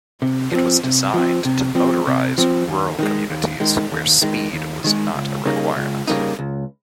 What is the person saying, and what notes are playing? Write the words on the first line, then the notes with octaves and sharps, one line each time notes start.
It was designed to motorise rural communities where speed was not a requirement.
C3
F3 C4
C3
F3 C4
C3
F3 C4
C3
F3 C4
D#2
D#3 G#3
D#2
D#3 G#3
D#2
D#3 G#3
D#2
D#3 G#3
C#2
C#3 G3 A#3 D#4
C#2
C#3 G3 A#3 D#4
C#2